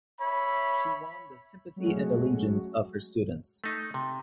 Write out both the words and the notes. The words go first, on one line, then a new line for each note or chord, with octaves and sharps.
She won the "sympathy and allegiance" of her students.
C#5 E5 B5
F#3 G#3 A3 C#4 F#4
A3 D#4
C3